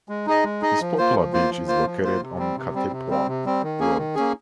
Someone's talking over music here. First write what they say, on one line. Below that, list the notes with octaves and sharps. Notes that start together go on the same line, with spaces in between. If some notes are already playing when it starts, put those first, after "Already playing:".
This popular beach is located on Katepwa Road.
G#3
D#4 G#4 D#5
G#3
D#4 G#4 D#5
F3
A#3 F4 C5
F3
A#3 F4 C5
F3
A#3 F4 C5
F3
A#3 F4 C5
C3
G3 C4
C3
G3 C4
C3
G3 C4
C3
G3 C4
D#3
A#3 C#4 G#4
D#3
A#3 C#4 G#4